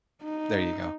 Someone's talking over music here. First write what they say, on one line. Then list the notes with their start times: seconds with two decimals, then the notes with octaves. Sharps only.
There you go.
0.24 D#4